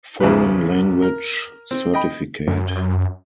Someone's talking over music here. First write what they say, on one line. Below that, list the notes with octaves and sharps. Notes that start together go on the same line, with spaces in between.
Foreign Language Certificate.
A1 E2 C#3 F3 G4 B4
A#4
C4
D#5 G5 B5
F#2